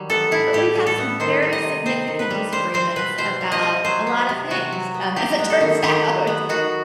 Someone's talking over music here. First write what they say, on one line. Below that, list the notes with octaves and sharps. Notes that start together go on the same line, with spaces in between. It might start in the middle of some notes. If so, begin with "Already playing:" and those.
but we have some very significant disagreements about a lot of things, um, as it turns out.
Already playing: D#3 F#3 G3
B3 A4
A2 E4
A2 G4
G3
A4
B3
D#3 C5
G3
D#5
C3
C4 C5
D#3
B4
G3
G3 C5
C4 C5
B2 B4
B2 C5
G3
D#5
C4
F#3 C5
B3
C3
C3 F#4
F#3
B3
F#3 G4
B3
A4
D#3
D#3 G4
F#3
B3
D#3 F#4